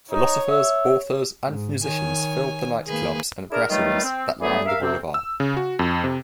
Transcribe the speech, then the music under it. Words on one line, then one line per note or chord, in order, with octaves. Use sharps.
Philosophers, authors and musicians filled the night clubs and brasseries that line the boulevard.
D#4 C#5
E5
G#2
D#3 C#5 G#5
D#3 A#3 G#4 B4
D4 E4 G#4 A#4
G2 D#3 F#3 G3 A3 F4
C4
D3 E3 F#3 A3 B3 G#4
A#4 E5 F5
D2 C3 C4
E6
C#3
F#4
F2
C3